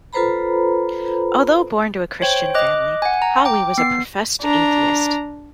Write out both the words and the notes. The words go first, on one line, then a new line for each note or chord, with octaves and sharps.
Although born into a Christian family, Hawi was a professed atheist.
F4 A4 B4 C5 A#5 B5
C5 C#5 G5
D#5 D6 F#6
F#5 G#5
A#5
G5 D6
B3 C7
D4 A#5